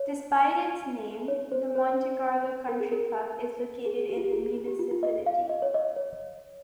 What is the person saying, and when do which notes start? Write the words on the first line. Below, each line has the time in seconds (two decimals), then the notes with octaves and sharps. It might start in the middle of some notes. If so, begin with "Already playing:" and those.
Despite its name, the Monte Carlo Country Club is located in the municipality.
Already playing: C#5
1.28 C#5
1.52 C5
1.75 C5
2.69 A#4
2.80 G#4
2.92 A#4
3.86 G#4
4.09 G4
4.17 F4
4.24 G4
4.32 G#4
4.68 G4
4.79 F4
4.91 F4
5.03 D#5
5.26 F5
5.49 D#5
5.62 C#5
5.74 D#5
5.96 C#5